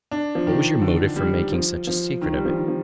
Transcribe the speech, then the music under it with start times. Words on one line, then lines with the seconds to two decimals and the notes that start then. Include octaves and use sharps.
What was your motive for making such a secret of it?
0.11 D4
0.35 F3
0.47 D#3
0.82 D3
1.16 G3
1.52 F3
1.87 F3
2.21 D#3
2.34 G3
2.45 F3
2.57 D#3
2.68 F3